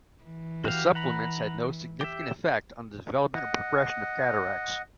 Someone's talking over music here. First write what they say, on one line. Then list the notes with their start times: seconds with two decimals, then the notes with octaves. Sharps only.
The supplements had no significant effect on the development or progression of cataracts.
0.23 E3
0.65 F#4 G4 F5
0.95 F#5 A#5 B5
2.01 G4 E5
3.34 D#5 F#5